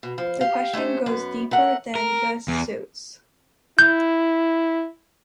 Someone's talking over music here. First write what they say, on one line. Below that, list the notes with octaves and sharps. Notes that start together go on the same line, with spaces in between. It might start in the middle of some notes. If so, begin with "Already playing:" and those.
The question goes deeper than just suits.
B2
F3
G4 F5
A3 C#4 G4 C5
F#2 B3
A3 A#4 F#5
A#4
E2
E4 G6